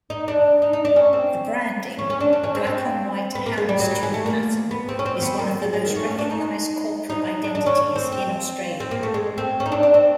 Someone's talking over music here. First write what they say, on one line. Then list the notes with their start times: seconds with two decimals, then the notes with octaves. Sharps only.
The branding-a black-on-white houndstooth pattern-is one of the most recognized corporate identities in Australia.
0.10 D#4
0.28 D4
0.62 D#4
0.73 D#4
0.85 D4
0.96 C#4
1.13 C4
1.99 C#4
2.10 C#4
2.20 D4
2.33 D4
2.43 C#4
2.55 C4
2.67 C4
3.35 B3
3.46 A#3
3.58 G#3
3.69 G3
3.80 F#3
3.91 G3
4.03 G#3
4.14 A3
4.26 A#3
4.71 B3
4.89 C4
4.99 C#4
5.06 C4
5.22 B3
5.39 A#3
5.62 G#3
5.73 G#3
5.85 D#3
5.96 A3
6.07 C#4
6.19 D4
6.31 D#4
7.10 D#4
7.44 D4
7.55 D4
7.66 C#4
7.96 C4
8.12 C4
8.80 C4
8.91 A#3
9.03 A3
9.14 G#3
9.38 C4
9.60 C#4
9.66 D#4
9.72 D4
9.83 D4
9.94 C4